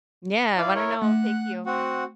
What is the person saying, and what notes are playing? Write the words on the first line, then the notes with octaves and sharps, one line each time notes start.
Yeah, I wanna know. Thank you.
E4 D5 F5
E4 A#4 C#5
A3 F#5 F#6
C4 F#4 F#5